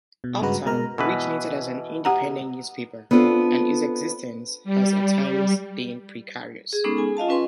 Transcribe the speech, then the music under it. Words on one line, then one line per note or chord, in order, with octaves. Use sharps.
"Uptown" originated as an independent newspaper, and its existence has at times been precarious.
B2
G2 C#3 G#3 F#4 B4 A#5
B2 G#3 A#4 A#5 F6
B2 E3 B4
G4 F#5 A#5
B3 C4 D4 F4 A4
G3
G#4
G#3 B3 C#4 D#4 A4 D6
G#4 G#5
F4 D#5 F5 A5
C#4 F4 B4 G#5 C6